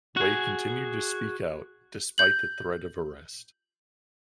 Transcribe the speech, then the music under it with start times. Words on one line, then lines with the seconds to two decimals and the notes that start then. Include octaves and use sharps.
Wei continued to speak out, despite the threat of arrest.
0.17 F#4 G#4
2.18 G6 F#7